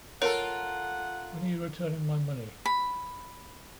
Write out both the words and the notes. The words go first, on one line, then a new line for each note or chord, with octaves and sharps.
When are you returning my money?
F4 A4 A#4 C#5 F#5
B5